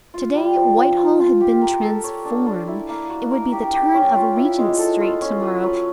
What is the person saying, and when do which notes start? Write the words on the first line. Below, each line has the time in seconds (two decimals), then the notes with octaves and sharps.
Today Whitehall had been transformed: it would be the turn of Regent Street tomorrow.
0.14 F4
0.35 G3
0.56 F3
0.77 F3
0.98 F4
1.20 F4
1.41 G4
1.61 A#4
1.83 A4
2.04 C#5
2.25 D4
2.46 D4
2.67 E4
2.89 A#3
3.10 F#4
3.31 A#4
3.52 G4
3.74 G4
3.94 C#4
4.15 F4
4.36 E4
4.58 G#3
4.78 A4
5.00 F4
5.21 C#4
5.42 B4
5.63 F#3